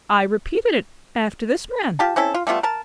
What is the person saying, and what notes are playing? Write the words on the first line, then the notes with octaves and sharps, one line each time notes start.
'I repeated it, after this man.'
F4 G4 A5
C4 C#4 E4 A4
F4
G3 A3 B3 F4
A#4 A5